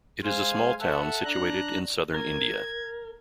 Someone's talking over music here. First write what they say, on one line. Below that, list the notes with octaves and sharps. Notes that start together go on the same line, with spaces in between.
It is a small town situated in southern India.
G#3 C5 F5 G#5
A4 E5 F#5
D4 A#5 F#6
A#4 G#6